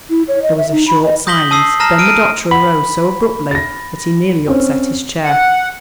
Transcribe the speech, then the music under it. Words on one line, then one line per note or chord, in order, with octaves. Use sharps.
There was a short silence; then the doctor arose so abruptly that he nearly upset his chair.
E4
C#5
D#5
E5
D#4
B5
D#5
D#6 G6 A#6 B6 F#7 G7
A5 D#6 E6 C7
A5 A#5 F6 A#6 C7 E7
F6 D7 D#7
F#5 B5
A6 A#6
C4 C#4 C5
F#5